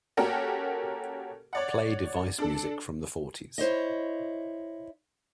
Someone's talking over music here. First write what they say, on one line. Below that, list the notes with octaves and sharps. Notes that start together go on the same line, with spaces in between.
Play Device music from the fourties.
A#3 C#4 F#4 G4 A4 A#4
C#5 D5 F#5
D4 A4
E4 C5 C#5 D#5